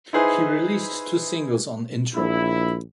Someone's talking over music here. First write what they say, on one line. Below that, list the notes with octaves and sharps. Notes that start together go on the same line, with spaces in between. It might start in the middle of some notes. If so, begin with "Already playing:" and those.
He released two singles on Intro.
D#4 E4 G#4 B4 C5
A#1 E4